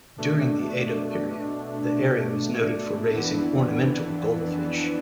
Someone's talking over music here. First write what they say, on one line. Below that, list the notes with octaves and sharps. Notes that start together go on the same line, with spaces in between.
During the Edo period, the area was noted for raising ornamental goldfish.
B2 A3 D4
F2 E3 B3 D4